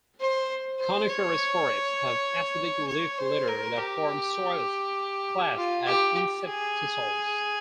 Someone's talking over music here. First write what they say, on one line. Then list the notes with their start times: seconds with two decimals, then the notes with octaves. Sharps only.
Coniferous forests have acidic leaf litter that form soils classed as inceptisols.
0.20 C5
0.79 C5
1.10 C#5
2.88 C#5
3.18 C5
3.47 A#4
3.77 G4
5.55 F4
5.86 G4
6.45 G#4